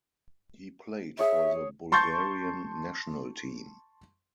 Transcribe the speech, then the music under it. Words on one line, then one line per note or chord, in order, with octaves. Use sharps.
He played for the Bulgarian national team.
G#4 C#5 E5
A5 C6 C#6 G6 A6